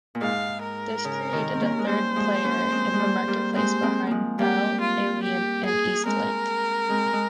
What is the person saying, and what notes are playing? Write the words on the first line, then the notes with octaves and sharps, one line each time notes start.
This created a third player in the marketplace behind Bell Aliant and Eastlink.
A#2
G#2 F5
A#4
C#3
C3 D#3
C4
A#3 C#4
G#3
G3 A#3 C5
F3 G#3
A#3 C#4
G#3 C4
G#3
G3 A#3
G3 A#3
G#3 C4 C5
G#3 C4
F3 G#3 A#3
G3 A#3 G4
F4
G4
G#4
G#3 C4 A#4
G#3 C4
G#3